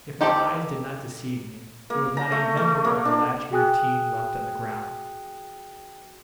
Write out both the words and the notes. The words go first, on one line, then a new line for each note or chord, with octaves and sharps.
If my eyes did not deceive me, there was not a member of the Latchmere team left on the ground.
D#4 G4 A4 C5 D5
A#3
A#5
A3
A3
A#3
D4
F#4 G#4 G5 G#5 D#6 F#6